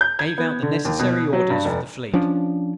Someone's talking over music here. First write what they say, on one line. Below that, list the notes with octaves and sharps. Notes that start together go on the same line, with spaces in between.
Gave out the necessary orders for the Fleet.
G6
G#6
B3
D3
D#2
B2
F#3
G2
F1
F3 C#4 D4